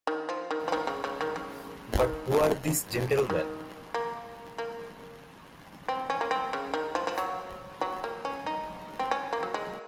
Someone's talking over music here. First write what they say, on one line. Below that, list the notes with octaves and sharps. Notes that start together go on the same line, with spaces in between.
But who are these gentlemen?
D#3
F3
D#3
F3
D#3
C#3
C#3
D#3
C#3
D#3
D#3
A#3
A#3
C4
C#4
A#3
C4
C#3
D#3
F3
F3
F#3
F#3
A#3
C#4
D#4
C4
C#4
A#3
F#3
G#3